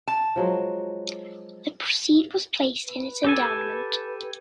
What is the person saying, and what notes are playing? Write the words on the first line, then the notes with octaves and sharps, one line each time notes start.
The proceed was placed in its endowment.
A5
F3 F#3 G#3
B4
G4 A4 G#5